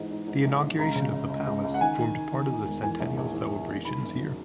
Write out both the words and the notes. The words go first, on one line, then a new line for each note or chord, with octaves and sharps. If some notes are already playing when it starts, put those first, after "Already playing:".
The inauguration of the palace formed part of the Centennial celebrations here.
Already playing: G#2 E3
G#2
G#2
A#1
A#1
C#2 A#5
C#3
C#3
C#2
C#2
C#2
F#5
D#3 G#5
D#3
D#3
D#3
D#3
E1
E3 G#5
A#1
A#1
E3
E3
A#1
D#3 B5
F#1
F#3